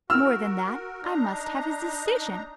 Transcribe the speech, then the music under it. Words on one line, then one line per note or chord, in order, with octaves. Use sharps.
More than that, I must have his decision!
F#4 A#4 E6 F6
D4 D#4 A#5